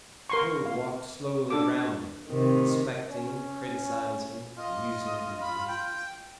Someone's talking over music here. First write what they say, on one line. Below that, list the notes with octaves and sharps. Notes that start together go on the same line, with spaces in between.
Toad walked slowly round it, inspecting, criticising, musing deeply.
A#4 C6 C#6
F5
D4 A4 D6
C3 D#3
C#4
F4 D#5
B5
G5